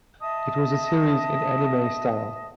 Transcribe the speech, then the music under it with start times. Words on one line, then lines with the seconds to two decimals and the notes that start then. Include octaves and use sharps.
It was a series in anime style.
0.21 D#5 E5 A5 D#6